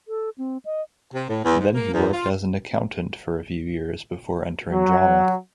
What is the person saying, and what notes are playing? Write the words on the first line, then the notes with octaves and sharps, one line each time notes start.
Then he worked as an accountant for few years before entering drama.
A4
C4
D#5
C3
A2
E2
G#2
A#3
E2
F4
F#3